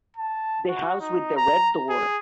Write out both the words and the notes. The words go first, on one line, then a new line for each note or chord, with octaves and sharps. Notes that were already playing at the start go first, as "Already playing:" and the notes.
The house with the red door.
A5
F#4
D#4
A#5
G#4